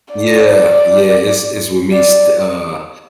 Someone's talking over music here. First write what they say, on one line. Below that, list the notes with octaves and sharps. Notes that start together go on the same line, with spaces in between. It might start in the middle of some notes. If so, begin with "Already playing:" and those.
Yeah. Yeah. It's it's with me, st uh
D5
D5